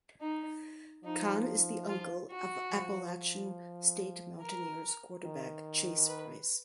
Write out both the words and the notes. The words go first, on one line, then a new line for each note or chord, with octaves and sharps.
Conn is the uncle of Appalachian State Mountaineers quarterback Chase Brice.
D#4
F3 D#4
F4
F#4
F3
A#4
D#3
B4